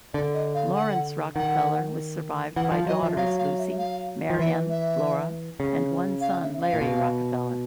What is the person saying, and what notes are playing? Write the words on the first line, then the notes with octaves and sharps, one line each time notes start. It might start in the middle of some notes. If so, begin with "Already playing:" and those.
Laurance Rockefeller was survived by daughters Lucy, Marion, Laura, and one son Larry Rockefeller.
D3 D5
D#5
F5
F#5
D#3 F#5
E3 F#5
F3 F5
F#3 D#5
F3 E5
F#3 F5
F5
E5
F5
F3
E3 E5
E5
C#3
F5
E5
F5
A#2
B2